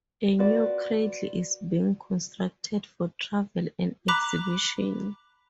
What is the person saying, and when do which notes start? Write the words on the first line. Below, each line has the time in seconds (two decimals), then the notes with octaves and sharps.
A new cradle is being constructed for travel and exhibition.
0.39 F4 F#4 B4 D5
4.08 A#5 B5 D6 F#6 B6